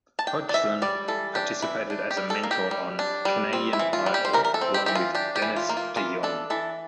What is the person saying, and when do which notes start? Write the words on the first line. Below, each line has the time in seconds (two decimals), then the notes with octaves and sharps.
Hodgson participated as a mentor on "Canadian Idol" along with Dennis DeYoung.
0.19 A5
0.27 D4 G5
0.49 D5
0.54 E3 E5
0.82 G3 D5
1.08 E3 A4
1.35 D4 G4
1.62 E3 E4
1.90 D4
2.11 G4
2.17 G3
2.30 A4
2.43 A#3
2.51 G4
2.71 G3
2.99 D4
3.25 G3
3.53 C4
3.73 E4
3.79 E3
3.93 F4
4.06 G3
4.14 G4
4.25 C5
4.33 E3 A#4
4.45 A#4
4.54 A4
4.61 C4
4.74 G4
4.86 E3 G4
4.95 F4
5.15 D4 G4
5.36 G4
5.42 E3
5.56 F4
5.69 A#3
5.77 F4
5.96 E3 F4
6.23 D4 A4
6.50 E3 A4